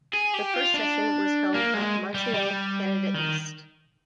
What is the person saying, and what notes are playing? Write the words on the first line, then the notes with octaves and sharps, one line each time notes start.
The first session was held at Montreal, Canada East.
G#4
G4
F4
D4
A#3
G#3
G3
G3
D#3